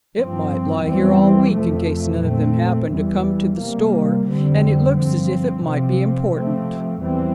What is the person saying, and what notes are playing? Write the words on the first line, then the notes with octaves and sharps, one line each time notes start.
"It might lie here all week in case none of them happened to come to the store, and it looks as if it might be important."
G2 F3 C4
E2 E3 G3 C4
F2 C3 F3 A3
A#2 A3 C4
E2 E3 G3
C3 G3 A#3
F2 D3 G3 C4
G2 F3 C4
C3 F3 C4
C3 F3 A3 C4
E2 E3 G3 C4